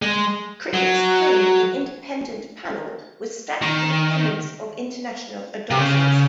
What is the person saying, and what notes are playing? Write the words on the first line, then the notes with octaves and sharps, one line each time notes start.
Critics claimed the Independent Panel was stacked with opponents of international adoptions.
G#3
F#3
D#3
C3
C#3